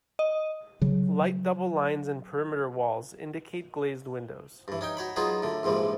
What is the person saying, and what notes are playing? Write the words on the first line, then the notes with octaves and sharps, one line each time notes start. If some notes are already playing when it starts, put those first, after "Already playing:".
Light double lines in perimeter walls indicate glazed windows.
D#5
C#3 F#3
G2 E3
C#4 D#4 G5
F#4 C#5 B5
F#3 B3 D#4 F4 F#4 G#4
A2 D3
A#1 G#2 E3 F3 G3